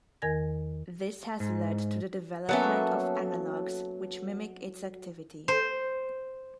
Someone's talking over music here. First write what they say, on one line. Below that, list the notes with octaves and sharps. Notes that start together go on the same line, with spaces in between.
This has led to the development of analogs which mimic its activity.
E2 D#3 A#4 G#5 G#6 A#6
G#2
F#3 A#3 B3 C#4 A4 E5
C5